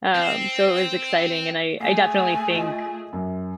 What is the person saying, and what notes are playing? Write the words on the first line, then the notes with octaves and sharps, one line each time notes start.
Um, so it was exciting, and I I definitely think,
C4
A3 G#4 G#5 C7
F4 D#5
F#2